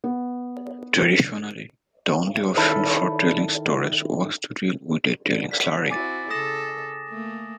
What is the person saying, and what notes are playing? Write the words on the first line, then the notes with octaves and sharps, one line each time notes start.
Traditionally, the only option for tailings storage was to deal with a tailings slurry.
B3
D#3 E4 A4 B4
B6
C4 E4 F#4 G#5 D6 A6
C#3 A4 D#6 A#6 E7
A3 A#3